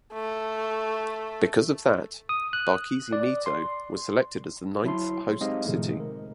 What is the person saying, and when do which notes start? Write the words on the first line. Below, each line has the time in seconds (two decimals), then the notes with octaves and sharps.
Because of that, Barquisimeto was selected as the ninth host city.
0.13 A3
2.29 D#6
2.53 F#6
3.13 D5
3.46 C6
4.84 F#3 E4 A5 C6
5.41 G#3 C4 D#4 G4 D#5 F5
5.66 A2 C3 D#3 F3 G#3 A3
6.00 A#4